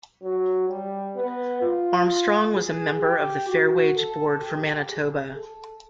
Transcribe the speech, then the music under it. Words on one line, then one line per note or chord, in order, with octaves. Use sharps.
Armstrong was a member of the Fair Wage Board for Manitoba.
F#3
G3
B3
F4
G#4
G4
F#4
A4
G4
G#4
A4